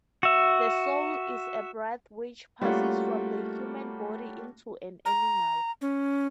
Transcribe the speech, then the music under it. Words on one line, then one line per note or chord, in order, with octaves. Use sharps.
The soul is a breath which passes from the human body into an animal.
F#4 E5
G3 A3 A#3 C#4 F4 F#4
A#5
C#4